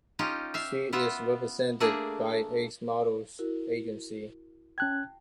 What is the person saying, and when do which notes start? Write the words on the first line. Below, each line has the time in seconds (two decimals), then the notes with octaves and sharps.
She is represented by Ace Models Agency.
0.19 C#4 D#4 F4 G4
0.54 E5 F5
0.93 B3 F4 E5
1.80 A3 A#3 D4 G#4
3.39 E4 F#4 A#4
4.78 C#4 G5 A5 F#6 G#6